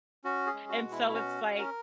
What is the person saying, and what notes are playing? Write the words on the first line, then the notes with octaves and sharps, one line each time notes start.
and so it's like,
C#4 F#4
G#4
G#3
F#4
B2
E4
E4
C#4 F#4
C#4
A#4